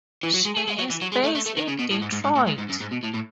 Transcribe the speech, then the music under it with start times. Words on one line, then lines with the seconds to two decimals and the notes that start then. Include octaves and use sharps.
She is based in Detroit.
0.23 E3
0.34 F#3
0.45 G#3
0.57 A3
0.67 G#3
0.78 F#3
0.90 E3
1.01 F#3
1.12 G#3
1.24 A3
1.35 A3
1.46 A3
1.57 D#3
1.68 C#3
1.79 B2
1.91 A2
2.02 G#2
2.12 G#2
2.24 G#2
2.35 A2
2.46 G#2
2.58 G#2
2.69 F#2
2.80 G#2
2.91 B2
3.03 A2
3.14 A2